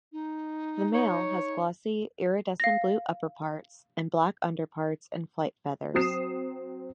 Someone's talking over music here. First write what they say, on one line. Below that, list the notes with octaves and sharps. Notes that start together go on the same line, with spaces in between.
The male has glossy, iridescent blue upperparts, and black underparts and flight feathers.
D#4
C#5
F5 A#6
F#3 C4 D#6 C7 E7